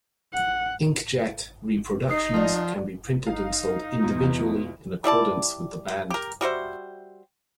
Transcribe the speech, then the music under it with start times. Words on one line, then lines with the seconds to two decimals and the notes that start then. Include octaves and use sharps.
Inkjet reproductions can be printed and sold individually in accordance with demand.
0.33 F#5
2.10 D#4 G4 D#6 C7
2.34 F3 D5 F#5 A#5
3.27 D#4 F5
4.03 E2 B2 F4
5.04 G3 E4 D5 A5
6.10 G4 A#4
6.41 G3 F#4 C5 E5